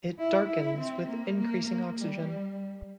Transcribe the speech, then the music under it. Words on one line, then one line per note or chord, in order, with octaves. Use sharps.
It darkens with increasing oxygen.
E4
E4
C4
A#3
A#3
A#3
G3